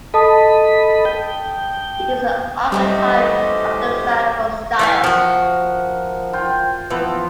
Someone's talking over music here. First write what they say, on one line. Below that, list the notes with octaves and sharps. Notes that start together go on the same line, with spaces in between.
It is the archetype of the Baphuon style.
A4 D#5 A5 B5 D#6
G5
E3 F#3 G3 A3 C#4 G4 C5 D#5
E3 F5 G5
F3 F#4 A#4
F4 G5
E3 F3 B3